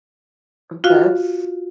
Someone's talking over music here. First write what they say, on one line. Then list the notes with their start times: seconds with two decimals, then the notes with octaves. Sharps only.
Um, vets?
0.84 F4 F#4 F5